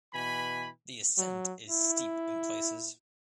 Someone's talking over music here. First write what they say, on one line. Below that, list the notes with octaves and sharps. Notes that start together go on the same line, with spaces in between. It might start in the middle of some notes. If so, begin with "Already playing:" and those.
The ascent is steep in places.
B2 E3 G#5 B5
F#3
E4